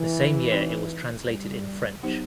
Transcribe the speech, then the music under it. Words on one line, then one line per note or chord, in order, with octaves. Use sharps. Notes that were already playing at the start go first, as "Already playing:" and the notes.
The same year it was translated in French.
Already playing: E3
C4 D#4 F#4 B4 D5
G3
F#3 B3 D#4 G4 C5